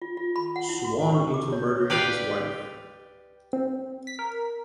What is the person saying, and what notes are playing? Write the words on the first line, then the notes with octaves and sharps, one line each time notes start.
Swann into murdering his wife.
F4
F4
B5
F#5
E4
F#4
A5
C#6
D6
C#5
G4 B4 D5 F5 G5
C4
B6
A#4